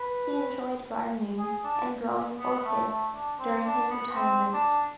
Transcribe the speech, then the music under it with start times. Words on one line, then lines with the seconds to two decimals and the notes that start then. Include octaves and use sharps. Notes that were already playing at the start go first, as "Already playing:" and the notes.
He enjoyed gardening and growing orchids during his retirement.
Already playing: B4
1.38 G#4
1.64 D4
2.39 B3
2.64 A3
2.89 A3
3.14 D4
3.39 C4
3.65 D4
3.90 B3
4.15 C4
4.53 D4